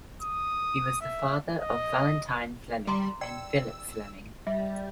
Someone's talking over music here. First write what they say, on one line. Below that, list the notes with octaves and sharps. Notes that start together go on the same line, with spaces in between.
He was the father of Valentine Fleming and Philip Fleming.
D#6
E5
D#5
G3 A#5 C6 D6
D5 G5 E6
G3 E5